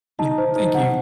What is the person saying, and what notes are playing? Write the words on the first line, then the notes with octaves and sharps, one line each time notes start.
Yeah, thank you.
D#4 A5
C5
D#4 C5
F#5